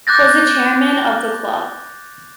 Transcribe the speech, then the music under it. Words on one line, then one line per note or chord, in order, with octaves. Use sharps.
Was a chairman of the club.
D6 F#6 G6 A6 A#6